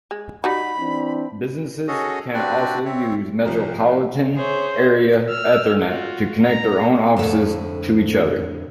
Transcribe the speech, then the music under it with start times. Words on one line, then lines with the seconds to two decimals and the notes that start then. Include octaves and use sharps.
Businesses can also use metropolitan-area Ethernet to connect their own offices to each other.
0.11 G#3
0.44 G3 D#4 F#4 B5
0.79 E3 C4 D4
1.88 C#4 F#4 G#4 A4 C#5 D#5
2.34 C4 D4 F#4 G4 B4 D5
2.85 C4 C#5 E5
3.45 C2 F3 A#4
4.35 G#4 C5 C#5 E5
5.29 E6 F6
5.83 F4 F#4
6.43 A#5
7.17 F2 A2 D3 A4 C#5 F5